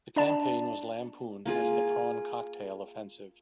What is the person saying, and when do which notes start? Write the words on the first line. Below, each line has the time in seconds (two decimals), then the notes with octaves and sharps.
The campaign was lampooned as the "Prawn Cocktail Offensive".
0.16 D4 D5 A5
1.45 A#3 F4 G#4